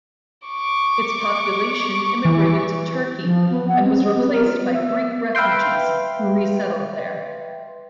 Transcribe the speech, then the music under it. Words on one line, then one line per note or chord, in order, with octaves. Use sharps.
Its population emigrated to Turkey and was replaced by Greek refugees who resettled there.
C#6 D6
E3
F3
B3
F#5
C4
D#5
B3
A#4
F4
B3
E5
E5
B4 E5 F5 G5 C6